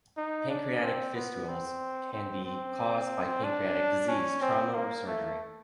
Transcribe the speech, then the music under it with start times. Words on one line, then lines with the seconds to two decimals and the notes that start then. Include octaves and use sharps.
Pancreatic fistulas can be caused by pancreatic disease, trauma, or surgery.
0.17 D#4
0.50 D4
0.83 C4
1.15 B3
1.48 C4
2.13 C4
2.45 C4
3.44 D4
4.09 C#4
4.42 C4
4.74 A#3
5.07 A3